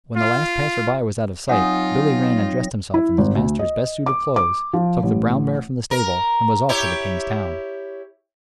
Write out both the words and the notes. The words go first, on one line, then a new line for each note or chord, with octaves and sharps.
When the last passer-by was out of sight, Billy ran and dressed himself in his master's best suit of clothes, took the brown mare from the stable, and was off to the king's town.
F4
F#3 C4 D#4 F4 F#5 G#5 D#6 A#6
E4
G#1
D2
D#5
D6
D6
F3
A1
A#4
E4 G4 C#5